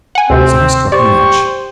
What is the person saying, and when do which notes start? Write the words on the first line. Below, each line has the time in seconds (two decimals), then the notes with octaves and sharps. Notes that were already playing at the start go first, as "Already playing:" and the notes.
So he struck a match.
0.15 F#5 G#5
0.30 D2 C3 C4
0.92 G4 C5 D5 C#6